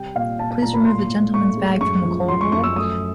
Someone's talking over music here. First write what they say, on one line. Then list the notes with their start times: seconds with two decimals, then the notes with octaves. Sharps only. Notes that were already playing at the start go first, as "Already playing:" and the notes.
Please remove the gentleman's bag from the coal hole.
Already playing: C3 G3 G5
0.15 A#2 F5
0.38 A#2 A5
0.51 A5
0.62 A#2 A#5
0.74 B5
0.86 A2 C6
1.10 A2
1.34 A2 C#6
1.57 G#3
1.81 F#2 C#6
2.05 F3
2.28 F3 C6
2.41 C#6
2.52 F#2 C#6
2.64 E6
2.76 A3 D#6